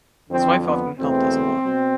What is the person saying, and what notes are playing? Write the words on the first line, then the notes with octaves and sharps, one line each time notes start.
His wife often helped as a model.
F2 D3 F3 C4
B3
E2 B2 A3 C4
B2